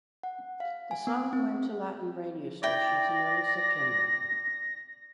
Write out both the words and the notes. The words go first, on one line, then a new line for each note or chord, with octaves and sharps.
The song went to Latin radio stations in early September.
F#5
F5
G#5
B3
C4
E4 D5 G5 A#6